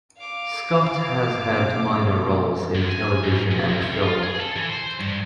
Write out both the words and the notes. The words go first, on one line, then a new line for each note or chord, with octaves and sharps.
Scott has had minor roles in television and film.
F5 D6
F#2 B2
F#2
G#5
G#2
B2
C2
F4
G#4
A4
E3
C5
G2